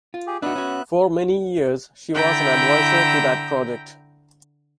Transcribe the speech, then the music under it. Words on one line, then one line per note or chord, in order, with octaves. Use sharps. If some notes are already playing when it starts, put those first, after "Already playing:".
For many years, she was an adviser to that project.
F4
G4 G#4
B3 D4 D#4 F#4 E5 F#6
C#4 F#4
D3 E4 G5 A#5 G6